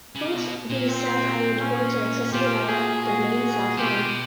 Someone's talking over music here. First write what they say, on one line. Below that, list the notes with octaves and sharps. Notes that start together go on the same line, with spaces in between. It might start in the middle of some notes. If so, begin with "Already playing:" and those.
Both these South Island ports are accessible via the Main South Line.
C#3
B2
A#2
C4
C#4
A#2 F4 G4
F#4 G#4
F#4 G#4
B2 F4 G4